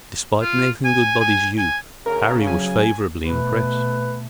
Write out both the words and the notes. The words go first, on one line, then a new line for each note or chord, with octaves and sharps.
Despite Nathan Goodbody's youth Harry was favorably impressed.
F4
G#5
G#5
G#5
D2 C#3 A#4
F#3 G#5
B2 A3 B4